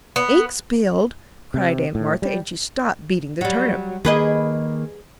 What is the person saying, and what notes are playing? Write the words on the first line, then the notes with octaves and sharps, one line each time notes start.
"Ink spilled?" cried aunt Martha, and she stopped beating the turnip.
B3
C3
A2
G3
F#3 G3
D#3 A#3 G#4 B4 D#5